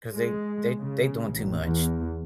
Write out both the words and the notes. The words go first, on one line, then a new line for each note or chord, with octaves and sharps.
'cause they they they doing too much.
G#3
C#3
A1
E2